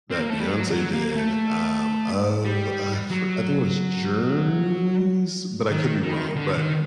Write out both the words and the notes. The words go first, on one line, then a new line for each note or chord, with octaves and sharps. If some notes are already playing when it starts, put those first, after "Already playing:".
that Beyonce did, um, of I for I think it was Journey's, but I could be wrong, but
C4
A#3
A3
G3
F#3
F#3
A#3
A3
G3
F#3
D#3
D#3
D3
D#3